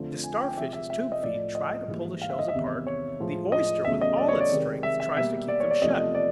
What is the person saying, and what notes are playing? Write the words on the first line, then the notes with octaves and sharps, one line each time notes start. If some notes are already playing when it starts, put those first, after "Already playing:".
The Starfish's tube-feet try to pull the shells apart; the oyster, with all its strength, tries to keep them shut.
Already playing: F2 D3 F3 A3
G#5
G5
C3 F3 G#3 E5
E5
E5
D#5
A2 F3 A3 D5
D#5
G#2 E3 G3 A#3
F5
E5
D#5
E5
E2 C3 D#3
C#5
A2 F3 G#3
D#5
E2 C#3 F#3 A3 E5
D#5
D5
C#5
D5
C3 D#3 G#3
E5
E5
B2 G3 A#3 E5
D5
C#5
D5
E2 C3 F3 A3 D#5
D#5
D5